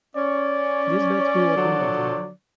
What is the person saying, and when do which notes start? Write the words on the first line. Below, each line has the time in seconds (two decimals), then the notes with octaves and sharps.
Nisbet grew up in Buffalo.
0.16 C#4 D5
1.57 D3 F3 F#3